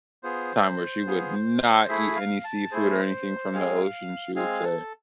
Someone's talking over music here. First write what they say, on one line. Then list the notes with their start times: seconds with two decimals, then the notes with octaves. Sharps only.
time where she would not eat any seafood or anything from the ocean, she would say.
0.23 B3 F4 G#4 C5
1.07 B3 F4 G#4
1.88 A3 E4 G#4 E5
2.16 F5
2.44 A5
2.71 A3 E4 G#4 C5
3.53 G#3 C4 G#4 F5
4.36 G#3 C4 G#4 F5
4.64 A4